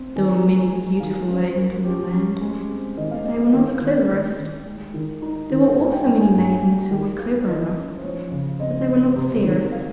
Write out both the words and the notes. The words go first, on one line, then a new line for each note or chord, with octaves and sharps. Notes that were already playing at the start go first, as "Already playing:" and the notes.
There were many beautiful maidens in the land, but they were not the cleverest. There were also many maidens who were clever enough, but they were not the fairest.
Already playing: C4
D#3 G#5
A#5
G#3 G#5
A#5
G#3 G#5
G#5
D#3 F5
C#4 C5
C#4 A#4
C#4 G4
C#4
G#3
C4
D#3 D#5
F5
G#3 D#5
F5
D#3 G5
D#3
D#3
D#3
G#3
D#3
D#4
D#3
G2 G#5
G5
G2 G5
G#5
G2 G#5
G#3
D#3 G5
G3 F5
D#3 D#5
C#4
C5
F3 C#5
C#3
C4 D#5
C4
C3
D#3
F5